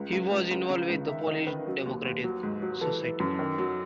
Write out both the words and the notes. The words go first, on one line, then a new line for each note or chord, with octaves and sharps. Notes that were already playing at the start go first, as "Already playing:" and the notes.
He was involved with the Polish Democratic Society.
Already playing: C#2
C#2
C#2
C#2
C#3
C#2
D#3 E5
D#3 D#5
D#3 B4
F#3
D#2
D#2
F#3
G#2
F#3
E3 A4
E3
F#2
D#3
F#3